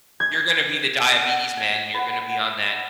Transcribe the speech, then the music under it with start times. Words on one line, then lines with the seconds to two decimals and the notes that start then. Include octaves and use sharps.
you're gonna be the diabetes man, and you're gonna be on that,
0.20 G#6
1.19 F#5
1.57 G#5
1.94 B4 F#5
2.20 F#5